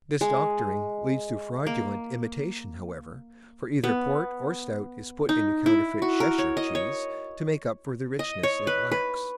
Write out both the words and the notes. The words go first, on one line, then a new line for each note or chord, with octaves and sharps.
This doctoring leads to fraudulent imitation, however, for either port or stout is put into counterfeit Cheshire cheese to make up for the richness it lacks.
G#3
A#3
B3
D#4
E4
F#4
A#4
C#5
D#5
C#5
D#5
C#5
B4
B4